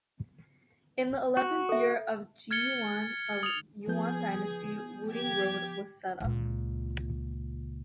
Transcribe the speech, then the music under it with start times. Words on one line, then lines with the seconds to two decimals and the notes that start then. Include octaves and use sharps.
In the eleventh year of Zhi Yuan of Yuan Dynasty, Wuding Road was set up.
1.37 F#4
1.69 A4 E5
2.51 F6 G#6 A6 C#7 G7
3.43 D#6 F7
3.88 F3 B3 G#4 G6
5.11 G4 G#6
6.20 C#2 A#2